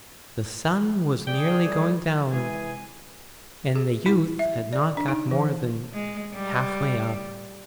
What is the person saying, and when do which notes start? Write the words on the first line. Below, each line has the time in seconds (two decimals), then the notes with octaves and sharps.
The sun was nearly going down, and the youth had not got more than half-way up.
1.27 G#4 D5 G5
1.65 G3 A3
2.32 C3 E3 G#3 G#4 B4 G#5
3.76 G#4
4.06 E4
4.39 E5
4.73 D5
4.97 D4
5.08 D#4
5.31 E3
5.93 G#3
6.34 G3